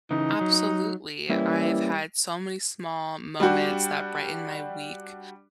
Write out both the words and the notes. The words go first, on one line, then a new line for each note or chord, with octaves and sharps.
Absolutely, I've had so many small moments that brighten my week.
C#3 E3 D#4
F#3
E3 G3 A#3 C#4 E4
G3 D4 F#4 G4